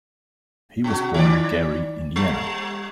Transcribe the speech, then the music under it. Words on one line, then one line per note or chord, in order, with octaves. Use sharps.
He was born in Gary, Indiana.
B2 F#4
D#3 D5
G3